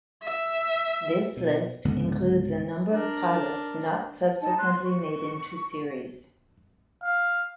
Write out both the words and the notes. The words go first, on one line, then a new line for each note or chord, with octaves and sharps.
This list includes a number of pilots not subsequently made into series.
E5
B2
C#2 G#2 D3 B3
D4 A#4
D#4 A5
C6 F#6
C#6
F5